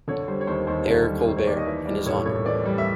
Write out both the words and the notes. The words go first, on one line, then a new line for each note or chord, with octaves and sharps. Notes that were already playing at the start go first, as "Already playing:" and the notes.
"Air Colbert", in his honor.
D3 C#5
G3 C5
C#5
D#2 C5
D#2 C5
D3
G3
D#2 C5
C#5
D#2 D5
D#5
E3 E5
G3 D5
A2 C#5
A2 C#5
E3 D5
G3
E5